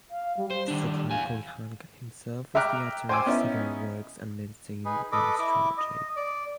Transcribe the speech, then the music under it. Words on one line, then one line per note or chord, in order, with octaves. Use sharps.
Subhan Quli Khan himself was the author of several works on medicine and astrology.
F5
G3
G3 C5
D#3 D4
E2 F5 G#5
E5 G5 A#5 D6 F6 F#6
C5 G5 G#5 D6 E6
B3 C#4 D#4 E4
D#4 G#4 B4
A4 B4 D#5 D6
E4 D6
D#5
D5